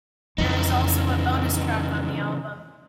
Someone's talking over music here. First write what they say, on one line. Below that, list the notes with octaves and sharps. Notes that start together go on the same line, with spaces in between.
There is also a bonus track on the album.
F2 C#3 E3 D#4